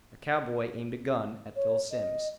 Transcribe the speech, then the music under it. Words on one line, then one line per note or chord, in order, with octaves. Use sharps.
A cowboy aimed a gun at Phil Simms.
C#5
D#5